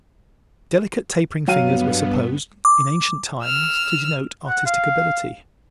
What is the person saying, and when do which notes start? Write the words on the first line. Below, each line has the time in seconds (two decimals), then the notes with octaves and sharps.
Delicate tapering fingers were supposed in ancient times to denote artistic ability.
1.48 G2 F#3 B3 F5 D#7
2.65 D6
3.44 E6 F6
4.48 F#5
4.66 F5